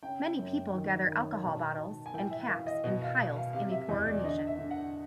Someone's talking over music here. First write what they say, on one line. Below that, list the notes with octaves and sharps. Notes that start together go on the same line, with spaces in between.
Many people gather alcohol bottles and caps in piles in a poorer nation.
C#3 G5
F#2
D#3
D#3
B2 A5
B2
G#5
E3 G5
E5
E3 F5
D#5
B2 D#5
F5
B2
F5
C3 F5
E5
E2 D#5
D5
D3 D#5
E5
D3
F#5